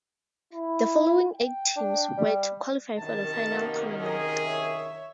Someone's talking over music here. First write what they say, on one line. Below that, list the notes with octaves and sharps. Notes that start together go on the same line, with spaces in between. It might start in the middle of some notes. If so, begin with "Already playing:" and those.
The following eight teams were to qualify for the final tournament.
E4
G5
D4
G3
F#2 C3 D#3 A5
A#3 B3
G#4 A#4 D#5
C#5 E5